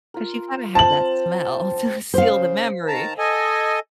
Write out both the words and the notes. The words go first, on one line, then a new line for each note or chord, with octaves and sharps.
'Cause you gotta have that smell to seal the memory.
F4 A#4
C4 F4 C5 A5 F#7
C#3 C5 F5
D#3 A5 A#5
A4 D#5 G#5